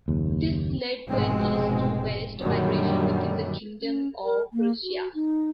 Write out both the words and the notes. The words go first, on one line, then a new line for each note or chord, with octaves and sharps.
This led to an East-to-West migration within the Kingdom of Prussia.
F#1 D#2
F1 G#2 B2 G#3 C4
F#2 A#2 D3 D#3 F#3 G3
C#4
A#4
A#3
F#4
D#4